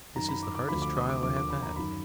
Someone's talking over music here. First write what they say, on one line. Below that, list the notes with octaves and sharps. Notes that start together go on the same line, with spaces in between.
'This is the hardest trial I have had.
F#2 D#3 A#5
B5
D6
D6
D2 D3 F3 B5
D6
D#6
D6
D#2 D3 F3 D6
D6
B5
A#5
F#2 D#3 B5